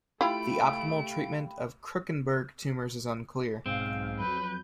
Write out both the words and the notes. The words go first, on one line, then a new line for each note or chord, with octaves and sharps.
The optimal treatment of Krukenberg tumors is unclear.
A3 E4 F4 G4 F5 G5 B5 D7
B1 G#2 C4 F5
F2 F#3 B4 G6